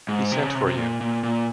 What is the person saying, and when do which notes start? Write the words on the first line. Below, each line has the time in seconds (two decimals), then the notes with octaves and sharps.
He sent for you.
0.09 G#2
0.32 C3
0.43 C#3
0.55 C3
0.66 C3
0.77 A#2
1.01 A#2
1.23 A#2